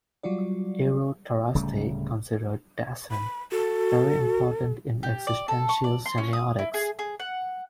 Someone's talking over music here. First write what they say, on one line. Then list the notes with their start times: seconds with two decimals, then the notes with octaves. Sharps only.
Eero Tarasti considered "Dasein" very important in "Existential Semiotics".
0.23 F#3 G3 F4 F#4 D5
1.55 D1 C#3 G3 A3
3.11 B5
3.52 F#4 A4
5.03 G4
5.27 D5
5.48 A4
5.69 C#6
5.84 D5
6.06 C6
6.18 C#4
6.33 D#6
6.59 E4
6.74 G#4
6.99 G#4
7.20 F#5